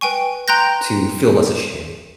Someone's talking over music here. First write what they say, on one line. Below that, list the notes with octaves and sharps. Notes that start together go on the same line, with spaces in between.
to feel less ashamed?
B4 G5 G#5 C#6
G5 A#5 C6 F#6 G6 A#6